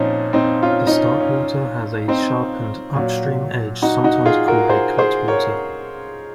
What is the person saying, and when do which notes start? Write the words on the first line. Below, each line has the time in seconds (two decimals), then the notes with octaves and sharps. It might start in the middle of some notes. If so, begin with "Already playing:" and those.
The starkwater has a sharpened upstream edge sometimes called a "cutwater".
Already playing: A#2 F3 C4 C#4 D#4
0.33 C4 D#4
0.62 C#4 F4
0.87 D#4
0.92 C#4
1.20 C#4
2.08 C4 D#4
2.95 A#2 F#3
3.82 D#4 F#4
4.04 D#4 F#4
4.25 F4 G#4
4.48 F#4 A#4
4.69 G#4 C5
4.98 G#4 C5
5.28 A#4 C#5